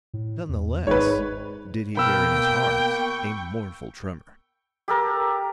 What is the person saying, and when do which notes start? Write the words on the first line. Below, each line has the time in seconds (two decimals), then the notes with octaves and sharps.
None the less did he bear in his heart a mournful tremor.
0.14 A2
0.49 E2
0.87 G#1 G#2 B4 C#5
1.97 B2 A#3 G5 B5 E6 F6
2.94 C#6
4.88 G4 A4 A#4